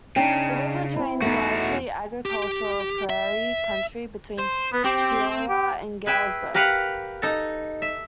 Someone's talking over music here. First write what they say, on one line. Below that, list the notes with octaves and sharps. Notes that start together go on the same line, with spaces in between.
The river drains largely agricultural prairie country between Peoria and Galesburg.
C#3 D4 D#4 G5
C4 E4
E2 A3 B3 D#4 F#4
G4
E5
C5
B3
C4 G4
G4
G#4 B4 E5 G5
G4 A#4 B4 F5 F#5
D#4 A4
E5